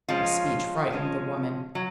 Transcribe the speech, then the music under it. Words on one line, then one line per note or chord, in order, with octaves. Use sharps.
This speech frightened the woman.
F3 G#3 C#4 F4
F3 G#3 C#4
F#3